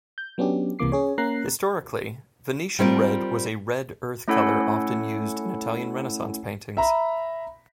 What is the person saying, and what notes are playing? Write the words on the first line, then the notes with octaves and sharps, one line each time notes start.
Historically, Venetian red was a red earth color often used in Italian Renaissance paintings.
G6
F#3 B3 C#4 D4 G4
C2 C3 E3 A#3 D6 C7
C#4 G#4 C#5
A#3 C#4 A#5 F#6 C7
G3 C4 F4 A#4
A3 C#4 E4 A4 C#5 F#5
E5 A#5 B5